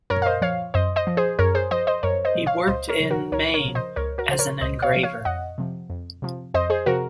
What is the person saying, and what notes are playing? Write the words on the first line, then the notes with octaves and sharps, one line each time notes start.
He worked in Maine as an engraver.
F#2 A#4 C#5
F5
C5 D#5
F3 C#5 F5
F#2 C5 D#5
C5 D#5
F3
G#4 C5
F#2 A#4 C#5
G#4 C5
F3 C5 D#5
C5 D#5
F#2 A#4 C#5
C5 D#5
F3
C#5 F5
C#2 C5 D#5
A#4 C#5
C#3 F3
F#4 A#4
C#2 A#4 C#5
A#4 C#5
C#3 F3
C5 D#5
C#2 A#4 C#5
F#4 A#4
C#3 F3 C5
A#4 C#5
C#2 C5 D#5
C#5 F5
C#3 F3
C#5 F5
F2 D#5 F#5
C3 F3
F2
C3 F3
F2 C5 D#5
G#4 C5
C3 F3 F#4 A#4